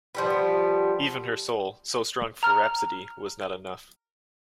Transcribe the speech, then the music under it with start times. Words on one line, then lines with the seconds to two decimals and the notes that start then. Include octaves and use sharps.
Even her soul, so strong for rhapsody, was not enough.
0.15 F3 G3 B3
2.43 A#5 F6